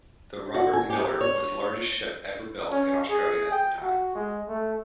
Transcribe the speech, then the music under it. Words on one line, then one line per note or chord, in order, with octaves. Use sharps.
The "Robert Miller" was the largest ship ever built in Australia at the time.
F#4
G#5
G4
C#5
C#4
G#4
G5
F#4
G#3
A3